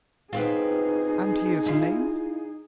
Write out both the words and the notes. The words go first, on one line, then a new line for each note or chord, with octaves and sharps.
"And he is named?"
B3 C4 D#4 F4 G#4
E4 F4